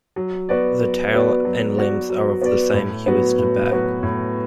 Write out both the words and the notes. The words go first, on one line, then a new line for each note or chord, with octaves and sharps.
The tail and limbs are of the same hue as the back.
F#3
B3 F#4 B4 D5
F#3
B3 F#4 B4 D5
F#3
B3 F#4 B4 D5
F#3
B3 F#4 B4 D5
A2
F#3 B3 F#4 B4
A2
F#3 B3 F#4 B4
A2